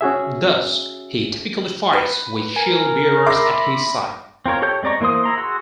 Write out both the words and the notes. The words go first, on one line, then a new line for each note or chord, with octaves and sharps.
Thus, he typically fights with shield bearers at his side.
C#4 F#4 G#4 E5
B4
A#4 G#5
E5 B5 C6 D6 A#6
C4 F4 A#4 C#5
G4 A4 C#5 C#6 G6
G#3 C4 D5 A#5 C#6
E3 A#3 A#4 C5 D#6
E4 A#5 C6
F#4 G#4 C6 E6